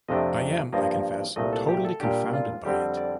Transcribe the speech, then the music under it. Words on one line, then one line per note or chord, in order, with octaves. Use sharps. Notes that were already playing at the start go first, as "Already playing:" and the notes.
I am, I confess, totally confounded by it.
F2 C3 F3 A3 D4 D#5
G2 F3 A#3 D#5
C2 A#2 A3 D#5
A4
G4
A4
A#2 G3 D4 G4
F4
F2 D3 G3 C4 G4
D5